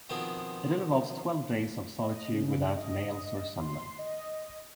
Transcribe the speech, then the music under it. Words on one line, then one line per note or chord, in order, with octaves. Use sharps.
It involves twelve days of solitude without males or sunlight.
B2 D#3 F3 B3 C4 G#4
D#5
C#3
D#5
C6
D#5